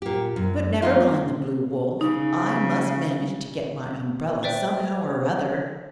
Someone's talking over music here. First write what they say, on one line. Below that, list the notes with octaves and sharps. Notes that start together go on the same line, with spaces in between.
"But never mind the Blue Wolf; I must manage to get my umbrella, somehow or other."
A#2 G4
F#2
F3 D#4 F4
C4
C#3 D#4
B4 C5 D5 E5 G5